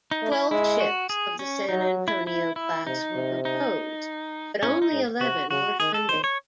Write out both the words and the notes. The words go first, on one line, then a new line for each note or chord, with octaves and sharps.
Twelve ships of the "San Antonio" class were proposed, but only eleven were funded.
D#4
A3
E4
G#3 E4
F#4
G#4
C#4
F#3 D#4
E4
E4
E4
C3 D#4
C3
D#4
A2 C#4
D#4
G#2
C3 F#4
C#3 F#4
D#3 G#4
A4
D#3 C5
C#5